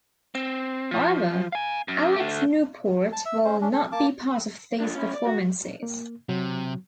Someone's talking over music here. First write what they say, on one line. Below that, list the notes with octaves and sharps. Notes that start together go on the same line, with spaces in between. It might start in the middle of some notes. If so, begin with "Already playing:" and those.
However, Alex Newport will not be part of these performances.
C4
F3
F5 G#5
F#2
D3 A3
A5
E5 E6
G#3 C#4 C5
C#4 D4
A4
A#3 A5 D6
D4 F4
C#4 E4
D5
F#4
A#3
C3 F#3